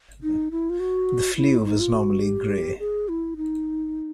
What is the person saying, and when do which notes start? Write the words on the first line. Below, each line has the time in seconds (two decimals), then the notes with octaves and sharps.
The Fleuve is normally grey.
0.23 D#4
0.51 E4
0.70 F4
0.80 F#4
1.36 E4
1.66 D#4
1.80 F4
1.94 F#4
2.22 G4
2.80 G#4
3.09 E4
3.37 D#4